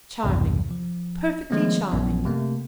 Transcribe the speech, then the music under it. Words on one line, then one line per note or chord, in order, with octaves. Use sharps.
Charming; perfectly charming.
B1 E2 G2 C3
F3
D#3 F3 G#3 A3 B3 C#4
A#1 F#2 B3
C3 A3 A#3